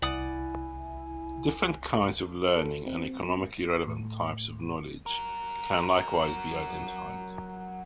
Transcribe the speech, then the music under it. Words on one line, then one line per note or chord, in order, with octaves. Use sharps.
Different kinds of learning and economically relevant types of knowledge can likewise be identified.
C2 E4 D5 F#5 G#5 D#6
A4
C4
A2
F#3 A#4